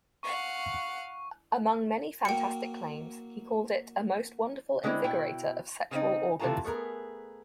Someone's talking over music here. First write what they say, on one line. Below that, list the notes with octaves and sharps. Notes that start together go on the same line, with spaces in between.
Among many fantastic claims, he called it a most wonderful invigorator of sexual organs.
F5 F#5 C#6
F#3 A#3 G5 C#7
D3 G#3 C4 C#4 E4
B2 E4 G5
C#3 C4 D#4
C3 E3 A3 F4 A5 A#5
A3 B3 G#4 A#4